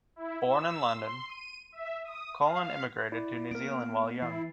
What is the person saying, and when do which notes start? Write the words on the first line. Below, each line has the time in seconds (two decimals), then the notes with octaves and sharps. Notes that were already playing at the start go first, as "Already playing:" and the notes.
Born in London, Cullen emigrated to New Zealand while young.
0.16 E4
0.46 E6
0.93 C6
1.27 D#7
1.72 E5
2.04 D#6
2.44 F5
3.12 E4 D5
3.51 A#3 B3 A#4 D7
4.22 E3 E4 A6 C7